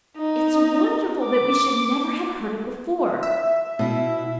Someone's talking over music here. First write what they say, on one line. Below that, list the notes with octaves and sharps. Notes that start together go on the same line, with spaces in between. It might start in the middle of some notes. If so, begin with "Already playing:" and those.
It's wonderful that we should never have heard it before.
D#4
D6
E5
B2 E4